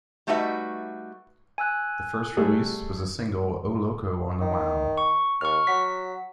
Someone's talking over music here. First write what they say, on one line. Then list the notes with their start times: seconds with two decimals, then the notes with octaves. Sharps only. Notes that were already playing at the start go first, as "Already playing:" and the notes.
Their first release was the single "O'Locco" on the Wau!
0.27 G3 A3 D#4 F#4 B4 E5
1.58 G#5 E6 F#6
2.37 G3 A3 G#4
4.41 D#3
4.97 C#6
5.41 D#2 C#6 F6
5.67 F#3 B6